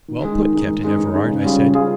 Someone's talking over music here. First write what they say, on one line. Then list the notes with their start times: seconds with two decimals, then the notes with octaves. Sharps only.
"Well put, Captain Everard," I said.
0.08 D#3
0.24 G#3 D#4
0.39 D#3
0.54 G#3 D#4
0.69 D#3
0.84 G#3 D#4
0.99 D#3
1.14 G#3 D#4
1.29 C#3
1.44 G3 C#4 F4 G#4
1.59 C#3
1.74 G3 C#4 F4 G#4